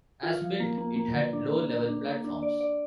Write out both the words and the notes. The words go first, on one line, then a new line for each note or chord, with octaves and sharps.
As built, it had low-level platforms.
F4
F3
A#3
A#3
A#3
D3
D4
A#3
A#3
D4
A#3
D4
D5
D5